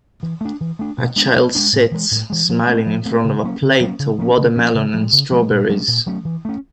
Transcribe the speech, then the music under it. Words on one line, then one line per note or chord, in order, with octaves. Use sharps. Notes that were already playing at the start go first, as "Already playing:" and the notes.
A child sits, smiling in front of a plate of watermelon and strawberries.
E3
A3 D4
E3
A3 D4
B2
G#3 B3 D4
B2
G#3 B3 D4
A2
E3 G#3
A2
E3 G#3
F3
A3 C4
F3
A3 C4
C#3
F#3 A#3 C#4
C#3
F#3 A#3 C#4
C#3
F3 A#3 C#4
C#3
F3 A#3 C#4
C#3
F3 G#3
C#3
F3 G#3
A#2
F#3 A3 C#4
A#2
F#3 A3 C#4
E3
A3 C#4